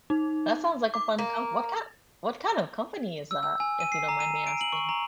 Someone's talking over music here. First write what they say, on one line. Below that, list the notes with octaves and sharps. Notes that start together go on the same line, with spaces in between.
that sounds like a fun comp what kind what kind of company is that, if you don't mind me asking?
D#4
D6
A#3
E6
E6
G#5
D#7
C7
A#5
D#7
A#5
D7
F#7
C#6
A#5